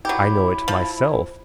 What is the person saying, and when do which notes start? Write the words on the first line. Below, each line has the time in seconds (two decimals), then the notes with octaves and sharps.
I know it myself.
0.05 F#3 E4 G4
0.68 F3